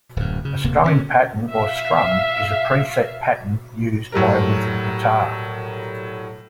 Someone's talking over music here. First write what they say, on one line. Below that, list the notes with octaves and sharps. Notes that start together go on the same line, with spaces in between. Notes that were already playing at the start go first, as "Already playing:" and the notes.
A strumming pattern or strum is a preset pattern used by a rhythm guitar.
D1 F#2
C#3
D1 C3 A#3
D3 B3 C#4
E5 F5
A2 F#3 G3 A#4